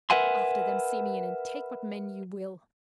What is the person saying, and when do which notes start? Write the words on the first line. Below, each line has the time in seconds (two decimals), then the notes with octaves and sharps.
"After them, Simeon, and take what men you will."
0.10 A#4 B4 E5 F#5 G#5 C6